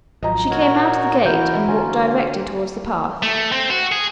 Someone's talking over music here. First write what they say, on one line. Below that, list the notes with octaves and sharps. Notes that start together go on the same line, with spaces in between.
She came out of the gate and walked directly towards the path.
G#1 F3 F#3 D#5 A#5
A#2 F#4 A#4 C#5
E3 E4 F#4 A#4 F#5 G6
D3 C#4 F4 F#4 G#5 A#5
A3
C4
F#4
G#4